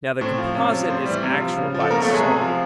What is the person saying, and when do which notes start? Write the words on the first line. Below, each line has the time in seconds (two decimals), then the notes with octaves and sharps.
Now the composite is actual by the soul.
0.21 A2 C4 C5
0.38 F3
0.55 C3 C#4 C#5
0.72 F3
0.89 A2 C4 C5
1.06 E3 G3
1.23 C3
1.40 F3
1.57 C#3
1.74 F3
1.80 A4
1.90 B2 A#3 A#4
2.02 A3 A4
2.08 F#3
2.13 G#3 G#4
2.25 C3
2.41 F3